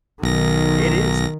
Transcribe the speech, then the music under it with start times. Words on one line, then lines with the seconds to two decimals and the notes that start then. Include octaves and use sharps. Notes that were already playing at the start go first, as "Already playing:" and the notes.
It is.
0.23 B1 D#3 A#6